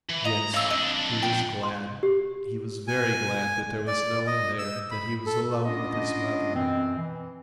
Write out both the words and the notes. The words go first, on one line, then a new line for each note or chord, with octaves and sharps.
Yes, he was glad, he was very glad that there was no one there, that he was alone with his mother.
E3
D#5 A#5
A2 E3 F5 E6
F2 D4 D#5
G5
C6
G4
G#5
D5
D#5
E6
B5
A4
B3 C#4 D4 F4 D#5
F#2 B2 E3 C4
E3